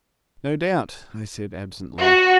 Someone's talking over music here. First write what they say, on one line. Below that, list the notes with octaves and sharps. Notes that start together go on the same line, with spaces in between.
"No doubt," I said absently.
F#4